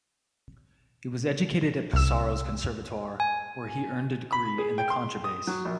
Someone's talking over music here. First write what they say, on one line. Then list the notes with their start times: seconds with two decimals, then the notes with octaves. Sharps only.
He was educated at Pesaro's Conservatoire where he earned a degree in the contrabass.
1.93 C2 E6
3.20 G#5
4.32 B5
4.58 G#4
4.78 G5
4.90 C6
5.24 D#6
5.47 F#3
5.65 A#1